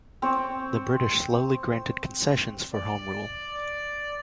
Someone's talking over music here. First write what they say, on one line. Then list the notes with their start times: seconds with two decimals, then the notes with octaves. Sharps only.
The British slowly granted concessions for home rule.
0.22 C4 C#5
2.72 D5